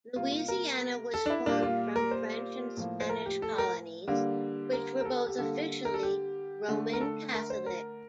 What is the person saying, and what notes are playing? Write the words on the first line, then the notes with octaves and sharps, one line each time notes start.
Louisiana was formed from French and Spanish colonies, which were both officially Roman Catholic.
C3 G3 A#3 F4
F4
A#4
A4
D4
E4
A#2 G3 A#3 D4
F4
A#4
C5
A2 F3 A#3
C5
A#4
G4
A4
A#4
D3 G3 A#3
A#4
A#4
A4
G4
D3 G3 A#3 A4
A#4
A4
G4
D3 A3
A#4
A4
A#4
C5
A#4